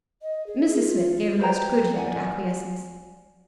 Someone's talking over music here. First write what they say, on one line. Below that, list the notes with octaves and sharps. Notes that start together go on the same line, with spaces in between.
Mrs Smith gave a most good-humoured acquiescence.
D#5
G#4
F4
B4 C5 G5 A#5
D5 F#5 G#5